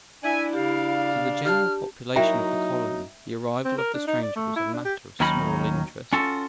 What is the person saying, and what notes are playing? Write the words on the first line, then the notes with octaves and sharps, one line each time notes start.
To the general population of the colony the arrival of the stranger was a matter of small interest.
D4 E4 D5 E5 G#5
C#3 G4 D5 F5
G4 A5 F6
F#3 A#3 D#4 E4 E5 G5 A#5
C4
A#4
D4
D#4
D5
A3
E4
D4
G4
D#2 D#3 F#3 C#4 D#4 B5
C#4 F4 F#4 A4